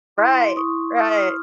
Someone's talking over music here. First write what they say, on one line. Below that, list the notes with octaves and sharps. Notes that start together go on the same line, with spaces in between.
Right right,
E4 C6 D6
E4 C#6 D#6
E4 D#6 F6
D#6 F6